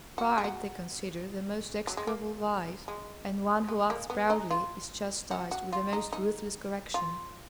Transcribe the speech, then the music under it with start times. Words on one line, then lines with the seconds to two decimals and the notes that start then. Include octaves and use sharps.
Pride they consider the most execrable vice, and one who acts proudly is chastised with the most ruthless correction.
0.18 F#4
0.38 G#4
0.44 F#4
1.87 F#3
1.97 G#3
2.07 A#3
2.88 G#3
3.69 G#3
3.90 A#3
4.10 B3
4.30 D#4
4.51 F4
5.31 F#4
5.51 F#4
5.73 F4
5.93 D#4
6.13 D#4
6.94 F4